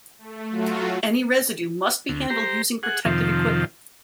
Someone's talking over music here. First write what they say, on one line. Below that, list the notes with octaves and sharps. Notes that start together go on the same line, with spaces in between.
Any residue must be handled using protective equipment.
A3
F#3 A3 F4 F#4
D2
G4 C5 A#5
G#4 F#5
F2 C3 D#3 F3